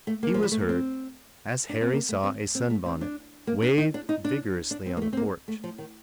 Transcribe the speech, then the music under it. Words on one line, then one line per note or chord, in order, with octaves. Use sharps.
He was heard, as Harry saw a sunbonnet waved vigorously on the porch.
A3
A#3
F3
G3
A3
A#3
C4
D4
C4
A#3
A3
C4
C4
A3
C4
D4
A#3
D4
D#4
D4
D#4
D4
D4
C4
A#3
A3
C4
A#3
A3
F3
D#3